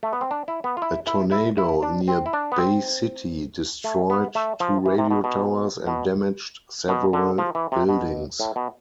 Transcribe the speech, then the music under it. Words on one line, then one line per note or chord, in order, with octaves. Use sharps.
A tornado near Bay City destroyed two radio towers and damaged several buildings.
A3
B3
C4
D4
E4
B3
F4
E4
E4
E4
E4
D4
C4
E4
D4
B3
C4
A3
B3
A3
F3
E3
C3
B2
B2
B2
B2
D3
F3
E3
C3
B2
A2
B2